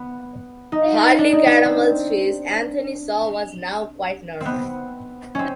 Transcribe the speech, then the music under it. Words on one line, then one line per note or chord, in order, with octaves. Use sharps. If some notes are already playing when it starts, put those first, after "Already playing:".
Harley Caramel's face, Anthony saw, was now quite normal.
Already playing: B3
D#4
D4
D#4
D4
C4
B3 C4
C4 C#4